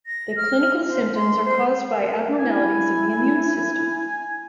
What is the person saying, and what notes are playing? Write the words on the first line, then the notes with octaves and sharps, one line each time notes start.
The clinical symptoms are caused by abnormalities of the immune system.
A#6
F6
C5
C6
C5
A#4
E4 G#5